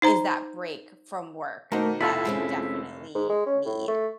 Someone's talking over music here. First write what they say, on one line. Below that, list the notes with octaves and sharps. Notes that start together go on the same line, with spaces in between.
is that break from work that I definitely need.
D#4 C5 A#5
B2 D#3 A3 A#3 D#4 F#4 A#4 C5
F1 E4 F4 A4 E5 B5
G#3 C4 C#4
G#2
G#3
C#4
A2
A3